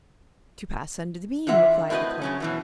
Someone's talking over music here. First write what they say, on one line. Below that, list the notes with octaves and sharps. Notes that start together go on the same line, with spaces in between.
"To pass under the beam," replied the clerk.
D3 E3 F4 E5 F#5
A2 C4 F#4 B4 D#5
C#3 F#3 C#4
B2 E3 F#3